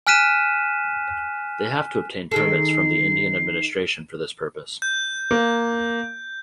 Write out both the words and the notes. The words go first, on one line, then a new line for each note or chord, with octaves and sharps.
They have to obtain permits from the Indian administration for this purpose.
G#5 F6 F#6 B6 D#7 E7
D#3 G#4 A4 C7
G6
A#3